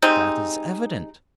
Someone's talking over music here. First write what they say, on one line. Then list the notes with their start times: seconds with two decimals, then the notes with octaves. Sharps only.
That is evident.
0.02 G3 G#3 C4 D#4